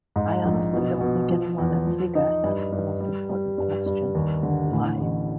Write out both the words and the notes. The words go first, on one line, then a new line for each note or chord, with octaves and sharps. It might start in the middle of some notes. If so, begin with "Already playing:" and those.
I honestly don't think anyone at Sega asked the most important question: 'Why?
G#2
A#1
B2
B2
F3
E2
F3
D#4
G2
G2
G3
G3
G2
G2
D#2
D3
A2
A1